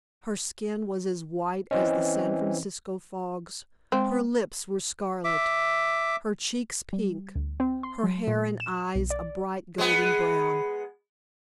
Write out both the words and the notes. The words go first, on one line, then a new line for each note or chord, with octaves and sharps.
Her skin was as white as the San Francisco fogs, her lips were scarlet, her cheeks pink, her hair and eyes a bright golden brown.
E3 C4 C#4 D#5
G#3 C4
E5 D6
G3
D2
C4
C6
F#3
A#2
E7
B1
D5
G#3 B3